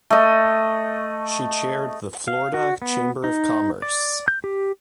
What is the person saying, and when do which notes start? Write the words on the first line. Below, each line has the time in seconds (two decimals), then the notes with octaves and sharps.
She chaired the Florida Chamber of Commerce.
0.10 A3 D#5
2.28 F5
2.54 F#4
2.82 B3
3.24 D#4
3.82 D5
4.28 G6
4.44 G4